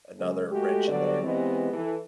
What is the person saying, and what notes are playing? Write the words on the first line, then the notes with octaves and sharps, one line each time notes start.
another wrench in there.
F#2 C#3 G#3
G#3 A3 F#4 G4
D3 F#3 G3 B3 D5
E3 G#3 B3 C4 G4 D#5
E3 A4